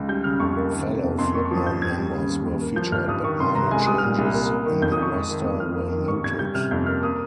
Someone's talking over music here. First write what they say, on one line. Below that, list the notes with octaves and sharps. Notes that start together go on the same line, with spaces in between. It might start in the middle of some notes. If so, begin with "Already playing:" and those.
Fellow Flipmode members were featured, but minor changes in the roster were noted.
Already playing: C#2
G3 G6
C#3 F6
F2 C#6
A#3
D#3
C3
F2
F2 C6
A#3 C#6
C#6
F3
D#6
G2 G6
G2 G#6
G3
C#3
D#2
D#2
A#3
F3 G6
G2 F6
G2 D#6
D#3 C#6
C3 C6
C2 A#5
G#3 G#5
G3 D#6
F6
A#2
C2
A#3
A#3
D#3
F2 G6
D#6
F2 C#6
G#3
D#3
F2 D#6
F2 F6
A#3
D#3
G2 C#6
G2 G#6
G3 G6
C3 F6
F2 G6
A#3 F6
A#3 D#6